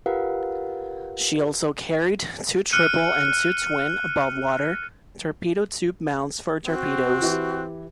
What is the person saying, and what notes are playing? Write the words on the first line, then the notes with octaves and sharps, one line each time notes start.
She also carried two triple and two twin, above-water, torpedo tube mounts for torpedoes.
F4 G4 A#4 B4 F5 F#5
F6 F#6 C#7 D#7
C4 F#4
E3 E4 G4